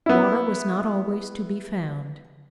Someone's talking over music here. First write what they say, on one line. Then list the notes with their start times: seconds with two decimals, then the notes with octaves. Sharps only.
Water was not always to be found.
0.06 B3 E4